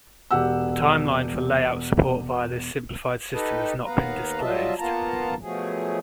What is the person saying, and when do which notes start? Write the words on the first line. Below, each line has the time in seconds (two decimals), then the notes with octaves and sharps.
The timeline for Layout support via this simplified system has not been disclosed.
0.31 E1 G4 F#5 E6
3.33 D#4 G4 A4 B4 D#5
3.86 D#2 B3 B4 F5 A#5
4.40 F#3 G3 F4 D#5 E5 A5
4.79 A#3 B3 F4 A5 A#5
5.41 B2 F3 F#3 A3 G#4